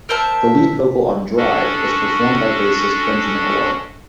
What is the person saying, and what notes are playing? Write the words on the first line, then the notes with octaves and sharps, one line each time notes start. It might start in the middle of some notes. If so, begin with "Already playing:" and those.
The lead vocal on "Drive" was performed by bassist Benjamin Orr.
A#4 C5 E5 A5
C#4 D4 F#4 A4